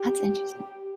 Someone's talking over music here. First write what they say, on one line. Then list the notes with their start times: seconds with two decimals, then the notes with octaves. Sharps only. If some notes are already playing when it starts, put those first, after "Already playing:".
that's interesting.
Already playing: G4